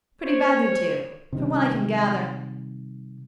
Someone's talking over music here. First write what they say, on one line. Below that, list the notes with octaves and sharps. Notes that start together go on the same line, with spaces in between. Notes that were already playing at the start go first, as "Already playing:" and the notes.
'Pretty badly too, from what I can gather.
C5 C#5
C3 D#3 G3